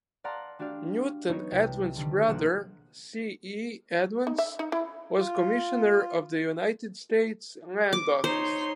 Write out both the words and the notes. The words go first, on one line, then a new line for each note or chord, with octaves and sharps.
Newton Edmunds' brother, C. E. Edmunds, was Commissioner of the United States Land Office.
D5 F5 F#5 A5 A#5 C6
A3 D4 F#4 G4 D5 F5
F#3 B3 D#4 C#5
C2 E4 G5 E7
D3 D#3 G3 B3
B1 F3 A#3 F#5 C#7 E7
D#4
E5
D#4
E4
F4
D6
D#4 C5 C#5 C6